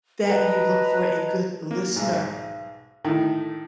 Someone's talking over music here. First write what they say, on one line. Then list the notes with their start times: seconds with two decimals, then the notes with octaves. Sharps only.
that you look for a good listener.
0.24 B4 D#5 A5 A#5
1.71 A#3
1.96 B1 G#2
3.05 A2 D#3 A3